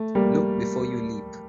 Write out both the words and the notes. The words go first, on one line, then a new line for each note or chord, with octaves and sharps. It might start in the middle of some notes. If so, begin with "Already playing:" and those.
Look before you leap.
Already playing: A3
G3 A#3